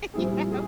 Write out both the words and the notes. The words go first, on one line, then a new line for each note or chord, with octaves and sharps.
You know?
A#2 G3 C4 E4 G#4
G#4